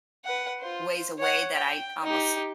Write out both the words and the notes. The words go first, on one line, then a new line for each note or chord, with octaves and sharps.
ways away that I almost
B4 F#5
F4 C5
C#5 F#5
G5
D#4 G4